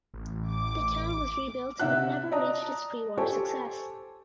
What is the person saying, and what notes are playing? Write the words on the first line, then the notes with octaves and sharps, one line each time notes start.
The town was rebuilt but never reached its prewar success.
A1
D6
C3 D#4 E5 F#5 F#6
D5 D#5 A5 A#5 D#6
G4 A4 C5 G#5 A5 C#6